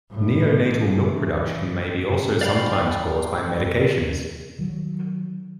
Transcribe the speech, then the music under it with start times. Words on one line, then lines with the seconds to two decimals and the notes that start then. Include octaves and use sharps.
Neonatal milk production may be also sometimes caused by medications.
0.11 A2
1.01 E3
2.41 D5 F5 G5 B5
4.59 D#3 F#3